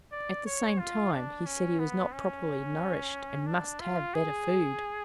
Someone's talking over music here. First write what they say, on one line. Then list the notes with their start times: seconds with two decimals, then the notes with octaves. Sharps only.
At the same time, he said he was not properly nourished, and must have better food.
0.12 D5
0.46 C#5
0.79 F4
1.13 D4
1.46 C#4
1.79 B3
2.12 C#4
3.47 D4
3.80 F4
4.14 G#4